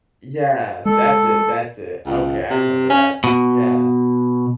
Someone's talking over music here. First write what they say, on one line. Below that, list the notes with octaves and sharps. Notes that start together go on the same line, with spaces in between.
yeah, that's it, that's it, okay, I remember that, yeah.
G#3 A4
C#2
C3
C#4
B2